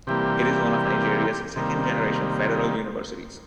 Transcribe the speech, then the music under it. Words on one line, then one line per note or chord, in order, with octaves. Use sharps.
It is one of Nigeria's second generation federal universities.
C3 E3 G3 A#3 G4
C3 D#3 G3 A#3